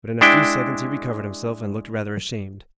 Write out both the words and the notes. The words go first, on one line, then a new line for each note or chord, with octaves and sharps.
But in a few seconds he recovered himself and looked rather ashamed.
G#3 D4 E4 G5